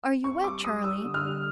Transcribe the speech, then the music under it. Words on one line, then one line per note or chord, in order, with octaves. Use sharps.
'Are you wet, Charlie?'
C4 C#6
G3 D6
G3 D#6
G3 E6
D3
F6
G3